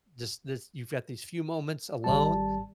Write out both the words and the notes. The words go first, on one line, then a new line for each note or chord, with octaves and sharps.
just lis you've got these few moments alone,
G#1 G3 A5